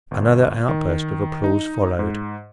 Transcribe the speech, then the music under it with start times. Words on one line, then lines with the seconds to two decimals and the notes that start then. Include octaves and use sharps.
Another outburst of applause followed.
0.11 G1
0.69 D#3
1.44 D#4
1.99 G#2